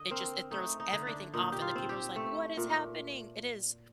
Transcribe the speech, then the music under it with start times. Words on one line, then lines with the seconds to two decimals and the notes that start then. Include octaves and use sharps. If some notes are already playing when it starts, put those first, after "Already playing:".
it just it throws everything off, and the people are just like, "What is happening?" It is
Already playing: D3 D#5
0.11 C4 A#4
0.51 A3 D#4
0.80 D#4
0.93 D3
1.07 D4
1.34 A#2 D#4
1.52 G4
1.62 F4
1.76 C4
1.89 G4
2.16 A3
2.57 A#2